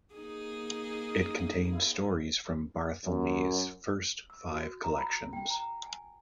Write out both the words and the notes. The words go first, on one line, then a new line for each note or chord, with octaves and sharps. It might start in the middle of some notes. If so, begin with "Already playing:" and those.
It contains stories from Barthelme's first five collections.
A#3 D#4 G#4
F#2
E6
F#4
A#5
B5
G5
A#5
G#5